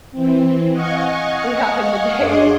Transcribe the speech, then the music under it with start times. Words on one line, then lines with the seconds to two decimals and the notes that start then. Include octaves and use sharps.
we have in the day, and
0.11 E3 C4
0.72 D#5 F5 F#5 G#5 C#6
2.18 F#2 D4 G#4 D#5 C6 D6